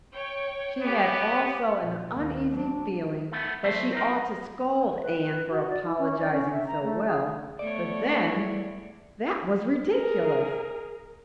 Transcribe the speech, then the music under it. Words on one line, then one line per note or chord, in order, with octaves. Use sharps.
She had also an uneasy feeling that she ought to scold Anne for apologizing so well; but then, that was ridiculous!
C#5 G5
B3 G4 C#5
A#2
D#2 A#3
F#3 D4
A3 B3
F#3 A3 C4 C5 E5
C4 D#4 A#4
B4
B4
F#4
D5
E4
C#4
D5
C#4
E5
A#5
A3
G#4
A3 B3 C#5 D5
G3 E4 G#4
G#4 A#4